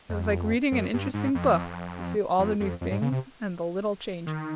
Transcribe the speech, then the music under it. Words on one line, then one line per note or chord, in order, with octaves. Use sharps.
It was like reading an interesting book to see all the new things, and the little changes.
F2
F#2
G2
G#2
F2
E2
F2
F2
F2
F2
G#2
C#3
C3
D#3